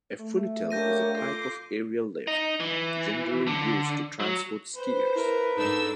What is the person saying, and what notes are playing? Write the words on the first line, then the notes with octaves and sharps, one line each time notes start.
A funitel is a type of aerial lift, generally used to transport skiers.
A3
A#3 D4 G4 C#5 G6 A#6 D#7
F4 A4 C6 D6
D#4
E3
D3
F#3
B4 C5
E4 A#4
G#2 D4 D#4 A4 E6